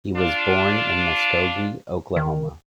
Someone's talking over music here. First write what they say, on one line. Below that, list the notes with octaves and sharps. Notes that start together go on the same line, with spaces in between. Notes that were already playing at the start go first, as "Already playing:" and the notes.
He was born in Muskogee, Oklahoma.
D4 F4
D#3